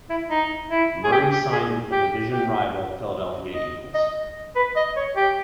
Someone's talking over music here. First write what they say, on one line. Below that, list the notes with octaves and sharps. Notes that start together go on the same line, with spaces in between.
Murray signed with the division rival Philadelphia Eagles.
E4
D#4
E4
G#4
G4
G4
G#4
G4
G4
D#5
D#5
B4
D#5
C#5
G4